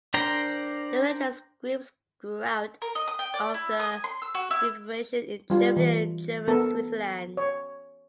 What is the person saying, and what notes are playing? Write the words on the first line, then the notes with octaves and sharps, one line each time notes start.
The religious groups grew out of the Reformation in Germany and German Switzerland.
D4 A#4 C5 G5 A#5
A#4
D#5
D#6
G5
D5
E4
D#6
G#5
C6
E6
F#4
E4
G3 F4
E3
B3 A4 A#4
C#5